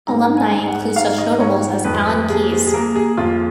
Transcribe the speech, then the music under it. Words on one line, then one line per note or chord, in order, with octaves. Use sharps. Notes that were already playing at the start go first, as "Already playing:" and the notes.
Alumni include such notables as Alan Keyes.
G#2 A#5
G#5
G#2
F#5
G#2 F5
D#5
G#2 C#5
F2 B4
B4
A#3 G#4
G#4
G#4
A#3 A#4
G#4
F2 F4